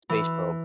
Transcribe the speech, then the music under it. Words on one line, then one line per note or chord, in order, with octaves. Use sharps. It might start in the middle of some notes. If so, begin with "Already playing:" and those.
space probe,
E3